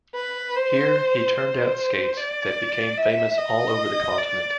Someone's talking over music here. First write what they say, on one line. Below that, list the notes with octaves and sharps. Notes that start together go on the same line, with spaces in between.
Here, he turned out skates that became famous all over the continent.
B4
C5
C5
D5
E5
D#5
D5